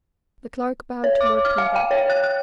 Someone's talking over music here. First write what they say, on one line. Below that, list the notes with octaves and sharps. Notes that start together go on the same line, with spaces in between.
The Clerk bowed to Lord Pembroke.
C#5
D6
F6
F5
G5
C#5
F#6
F#6